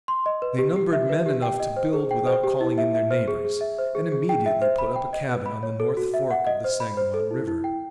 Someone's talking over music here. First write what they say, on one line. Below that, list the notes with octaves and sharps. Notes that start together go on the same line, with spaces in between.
They numbered men enough to build without calling in their neighbors, and immediately put up a cabin on the north fork of the Sangamon River.
C6
D#5
B4
G4
G4
E5
B4
G4
G5
D#5
C5
G#4
G5
C5
G4
E4
E5
E5
C5
G#4
G#4
E5
C5
G#4
G#4
G5
E5
C5
B5
G5
D#5
B4
B5
C#5
A4
F#4
E5
F#5
D#5
C5
B5
C5
A4
E4
E4
G5